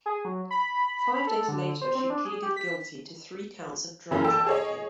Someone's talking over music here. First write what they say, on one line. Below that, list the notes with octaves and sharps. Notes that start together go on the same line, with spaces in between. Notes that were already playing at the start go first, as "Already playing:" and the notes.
Five days later she pleaded guilty to three counts of drug-trafficking.
G#4
F#3
B5
A4
D3
C5
C4
D4
G#4
G4
B6
F#2 C#3 E3 A#3
A4 G5 A5 E6
G#4 C#5 D#5